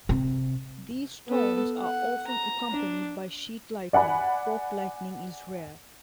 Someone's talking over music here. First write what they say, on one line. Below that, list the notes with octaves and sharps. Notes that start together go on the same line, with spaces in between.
These storms are often accompanied by sheet lightning; fork lightning is rare.
C3
B3 A4
F#5
A#5
D4
D5 F#5 G#5 B5